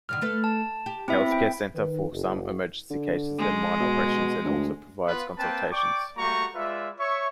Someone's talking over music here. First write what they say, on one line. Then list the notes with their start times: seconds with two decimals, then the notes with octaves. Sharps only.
Healthcare center for some emergency cases and minor operations and also provides consultations.
0.09 G2 D3 D#3 F6
0.21 A3 A4 B4
0.44 A5
0.86 G4
1.08 B3 C4 E4 E5
1.32 G5
1.75 D#3 B4
2.11 F#1
2.90 D3
3.39 G#3
3.80 B2
4.45 D2
5.06 B3 F4 B4
5.39 A#3 C4 B4 G5 A5
5.72 D5 G5 C#6 D6
6.17 G3 A3 A#3 F#4 A#5 C#6
6.55 G#3 F4 B4 D5 E5
6.99 C#5 E5 C#6